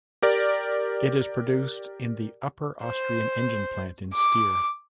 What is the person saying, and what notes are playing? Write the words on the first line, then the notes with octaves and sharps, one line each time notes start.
It is produced in the upper Austrian engine plant in Steyr.
G4 A#4 D5
C5
D6